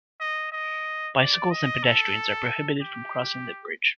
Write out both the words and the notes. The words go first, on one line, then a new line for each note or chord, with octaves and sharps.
Bicycles and pedestrians are prohibited from crossing the bridge.
D#5
D#5
D5
D#5
A4
G4